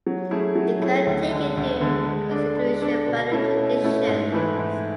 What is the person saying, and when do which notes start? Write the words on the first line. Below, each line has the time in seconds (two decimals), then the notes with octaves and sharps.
It can take into consideration boundary conditions.
0.07 F#3
0.31 A3 C#4 E4 G#4
0.55 F#3
0.81 A3 C#4 E4 G#4
1.07 D2
1.31 D3 G#3
1.57 D2
1.81 D3 G#3
2.06 G#3
2.31 D4 A4 D5
2.57 G#3
2.82 D4 A4 D5
3.07 B2
3.32 A3 C#4 E4 A4
3.57 B2
3.83 A3 C#4 E4 A4
4.07 G#2
4.32 E3 A3 E4 B4
4.58 G#2